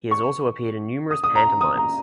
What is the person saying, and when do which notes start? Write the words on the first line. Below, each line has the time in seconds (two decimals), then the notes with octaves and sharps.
He has also appeared in numerous pantomimes.
0.11 C#6
1.11 D#6
1.24 D#6
1.35 A#5
1.61 D#6
1.77 A#5